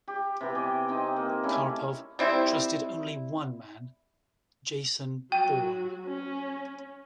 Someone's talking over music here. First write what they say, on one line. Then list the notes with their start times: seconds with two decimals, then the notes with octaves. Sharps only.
Karpov trusted only one man: Jason Bourne.
0.08 G4
0.41 C3 E3 B3
0.55 D#5 G5 G#5 D6
0.88 C4 D#4 D#5
1.16 A#3
1.43 A3 C#4 E4
2.19 G3 C4 E4
5.32 F#3 F#4 G5
6.05 C#4